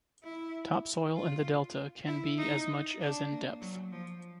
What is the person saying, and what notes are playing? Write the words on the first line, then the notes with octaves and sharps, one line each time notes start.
Topsoil in the delta can be as much as in depth.
E4
F4
E4
D#4
D4
A#3
F#3
F3